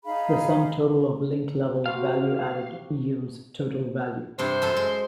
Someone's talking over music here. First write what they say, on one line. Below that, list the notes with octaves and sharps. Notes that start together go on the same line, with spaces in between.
The sum total of link-level value-added yields total value.
D#4 G#4 F5 B5
C3 F#4 F5
G2 C3 C5
F#2 A4 A5
G#3